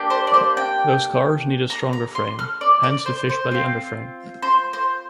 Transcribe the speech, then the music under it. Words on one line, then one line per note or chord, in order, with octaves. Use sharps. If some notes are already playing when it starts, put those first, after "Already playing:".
Those cars need a stronger frame, hence the fishbelly underframe.
Already playing: A#3 D4 G4
C5
D5
C5
G5
A#5
A#5
C6
F6
D5
D5
C5
C5
C4 F4
C5
C5